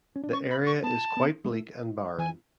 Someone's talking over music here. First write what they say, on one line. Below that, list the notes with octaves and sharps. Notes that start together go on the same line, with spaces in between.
The area is quite bleak and barren.
C#4
D4
C#4 C#6
B5
C#6
B3 A5
B3
G#3
A3
E3 G#5